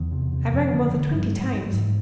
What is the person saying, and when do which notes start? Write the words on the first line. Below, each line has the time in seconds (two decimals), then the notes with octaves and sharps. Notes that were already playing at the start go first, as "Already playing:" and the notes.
I rang more than twenty times.
Already playing: E2 D#3
0.12 C3
0.33 C3
0.53 F2
0.73 D3 D#3
0.93 D3 E3
1.12 G2 F3
1.33 G#2 F#3
1.48 G#2 G#3
1.63 F#3
1.73 G#2
1.78 E3